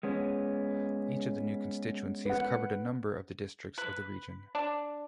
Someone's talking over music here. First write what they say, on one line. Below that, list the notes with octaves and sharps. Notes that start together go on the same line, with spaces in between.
Each of the new constituencies covered a number of the districts of the region.
G#3 B3 C#4
B4 F#5
B4
D4